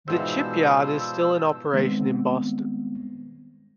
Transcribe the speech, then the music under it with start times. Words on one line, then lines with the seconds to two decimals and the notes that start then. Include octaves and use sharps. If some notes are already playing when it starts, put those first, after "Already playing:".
The Chipyard is still in operation in Boston.
0.08 G#2 B2 E3 F3 G3 C5 E6
1.73 D#3 G3 G#3 B3 C4